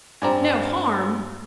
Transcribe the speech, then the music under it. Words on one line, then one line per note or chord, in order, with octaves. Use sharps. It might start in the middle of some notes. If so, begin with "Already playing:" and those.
"No harm!"
G2 C4 D5 G#5 A#5